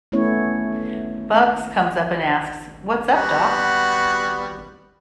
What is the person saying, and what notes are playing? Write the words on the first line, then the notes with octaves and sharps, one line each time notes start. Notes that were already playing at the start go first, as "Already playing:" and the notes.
Bugs comes up and asks What's up doc?
A3 B3 C#4 E4 C#5
G3 B3 F#4